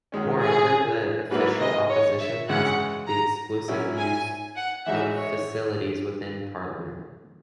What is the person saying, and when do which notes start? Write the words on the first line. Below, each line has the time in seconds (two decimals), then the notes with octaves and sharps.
Moreover, the Official Opposition has the exclusive use of facilities within Parliament.
0.12 F#2 D#3 G#3 C#4
0.42 G#4
1.31 G#2 F#3 A#3 E4 B4
1.61 D#5
1.90 C#5
2.20 E5
2.49 F#2 C#3 E3 G#3 F#5
3.09 A#5
3.68 A#2 F#3 C#4 E4
3.98 G#5
4.57 F#5
4.86 E3 G#3 D#4 F#4 E5
5.16 C#5